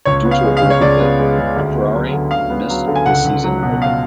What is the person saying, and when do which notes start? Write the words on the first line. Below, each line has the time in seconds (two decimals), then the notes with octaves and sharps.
Due to a broken foot, McCrary missed the season opener.
0.05 C#2 C#5
0.25 B3
0.31 F5
0.44 G#3
0.57 F5
0.62 C#3
0.70 C#5
0.80 C#2 D5
1.00 B3
1.19 G#3
1.38 C#3
1.56 D2
1.75 B3
1.94 F#3
2.13 D3
2.31 D2 F5
2.50 B3
2.69 F#3
2.87 D3
2.95 G#5
3.06 C#2 F#5
3.25 C#2
3.44 F#3
3.63 B2
3.82 F5